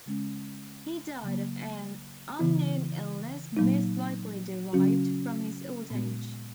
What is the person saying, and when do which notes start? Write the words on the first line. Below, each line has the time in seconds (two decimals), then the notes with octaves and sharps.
He died of an unknown illness most likely derived from his old age.
0.06 C#3 G#3 C#4
1.23 C#3 F#3 A#3
2.39 C#3 E3 B3 E4
3.57 A#2 F#3 A#3 D#4
4.73 C#3 F#3 C#4 F#4
5.90 A#2 G#3 B3 F#4